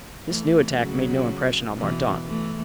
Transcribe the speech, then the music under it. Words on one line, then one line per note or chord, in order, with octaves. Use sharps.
This new attack made no impression on Mordaunt.
E3 A3
C#3 F#3
B2 E3
E3 A3